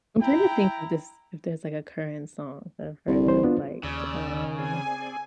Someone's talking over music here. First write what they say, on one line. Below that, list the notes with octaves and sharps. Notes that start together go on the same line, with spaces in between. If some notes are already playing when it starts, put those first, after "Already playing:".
I'm trying to think of this if there's like a current song that I've heard that I've liked. Um
E4 G5 A#5
C2
E3 C5
B3 D4 F4
D#2 C#3 D5 E6
C4 G#4 D5 G#5